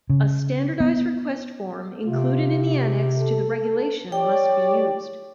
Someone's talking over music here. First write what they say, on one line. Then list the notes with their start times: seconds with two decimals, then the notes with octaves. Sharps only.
A standardised request form included in the annex to the regulation must be used.
0.10 C#3
0.80 B3
2.05 C3 F4
3.18 A4
4.12 G4 C#5 D5 G5